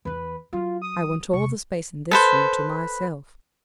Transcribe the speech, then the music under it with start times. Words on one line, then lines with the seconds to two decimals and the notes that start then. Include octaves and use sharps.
I want all the space in this room to myself!
0.05 E2 E3 B4
0.53 F#3 F4
0.82 D#6
1.33 E2 C3 C#6
2.11 A4 B4 C5